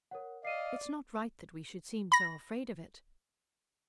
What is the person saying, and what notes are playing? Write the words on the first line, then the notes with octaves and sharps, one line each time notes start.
It's not right that we should seem so afraid of it.
A#4 C#5 F#5
D5 D#5 F5 C7 D#7
B5 A#6